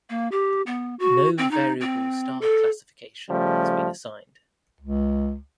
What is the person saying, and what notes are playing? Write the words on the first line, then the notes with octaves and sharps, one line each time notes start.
No variable star classification has been assigned.
A#3
G4
B3
F#4
C4
D#4
C4
A4
C#3 F3 G3 A3
C#2